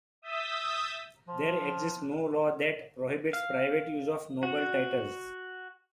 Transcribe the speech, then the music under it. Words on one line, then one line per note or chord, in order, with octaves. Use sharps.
There exists no law that prohibits private use of noble titles.
E5 D#6 E6 G6 A6 B6
F3
F5
F#4